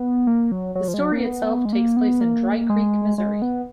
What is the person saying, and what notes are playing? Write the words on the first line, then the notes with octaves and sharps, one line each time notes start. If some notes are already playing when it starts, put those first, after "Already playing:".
The story itself takes place in Dry Creek, Missouri.
Already playing: B3
A#3
F#3
F#3
F3
G#3
F#3
A#3
B3
G#3
A#3
B3
A#3
G#3
G#3
B3